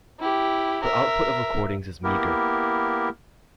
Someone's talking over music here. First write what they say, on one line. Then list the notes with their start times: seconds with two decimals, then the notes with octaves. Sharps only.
Her output of recordings is meager.
0.20 E4 G4
0.83 A#4 E5
2.04 A#3 B3 E4 G4 A#4